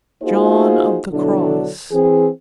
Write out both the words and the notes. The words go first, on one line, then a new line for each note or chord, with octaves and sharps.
John of the Cross.
A#3 D#4 F4 F#4 G#4 C5
B2 D3 F#3 D4 E4 A4
E3 C4 G#4